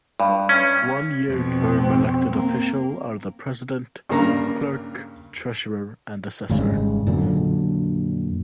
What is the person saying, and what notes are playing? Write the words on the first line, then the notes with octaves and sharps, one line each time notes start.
One year term elected official are the president, clerk, treasurer and assessor.
G2
C#4
F2 B2 C4
A#3
G2 C#3 A#3 A#5
G#1 G2 C#3 G#3
F2 A#2 D3 F#3